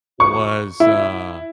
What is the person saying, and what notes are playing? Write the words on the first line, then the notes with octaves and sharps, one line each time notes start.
was, uh,
C#6
E4